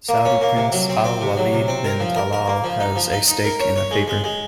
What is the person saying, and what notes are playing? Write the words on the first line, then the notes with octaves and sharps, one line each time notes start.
Saudi Prince Al-Waleed bin Talal has a stake in the paper.
A#3
C#4
A#3
C3
F#3
C4
C4
C3
F#3
C3
C4
A#4
F3
A#4
A#4
A#3
F3
D#4
F3
D#4
D#4
A#4
C#5
C#5
G#3
G#3
G#3